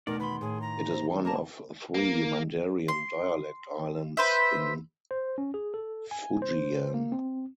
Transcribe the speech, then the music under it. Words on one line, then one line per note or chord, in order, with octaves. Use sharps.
It is one of three Mandarin dialect islands in Fujian.
E2 B2 A3 D#4 A#4 D5
D#3 B4 B5 C6
A2 G#4
A#5
C5
A#3 A#4 A5 A#5
A#3
C6
B4 C5 E5
C5
C#4
G#4
A4
G#5
C5
A#3
C4